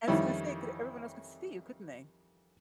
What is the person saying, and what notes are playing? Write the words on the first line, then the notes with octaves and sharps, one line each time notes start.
I was gonna say 'cause everyone else could see you, couldn't they?
F2 D#3 E3 G3 C#4 E4